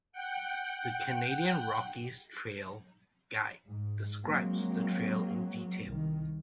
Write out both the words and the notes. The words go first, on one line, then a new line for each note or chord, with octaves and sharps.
"The Canadian Rockies Trail Guide" describes the trail in detail.
F#5 G5
G#2
F#3 G#3 A#3 C4
C2 D#3